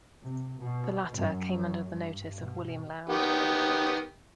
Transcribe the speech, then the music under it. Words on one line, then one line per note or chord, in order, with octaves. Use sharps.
The latter came under the notice of William Laud.
C3
B2
F#2
G2
B2
D#3 B3 G4